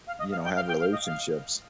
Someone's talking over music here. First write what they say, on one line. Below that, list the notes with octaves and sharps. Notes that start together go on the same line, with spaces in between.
you know, have relationships.
F5
D#5
F5
G5
F5
G5
F5
D#5
F5